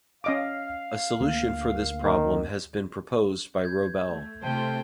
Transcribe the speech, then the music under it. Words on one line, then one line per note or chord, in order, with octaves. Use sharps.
A solution for this problem has been proposed by Roebel.
C#4 D#5 F5 D6
D2 A#3
D#3
G6 G#6
A3
C3 A3 F4 C5 G5 A5 G7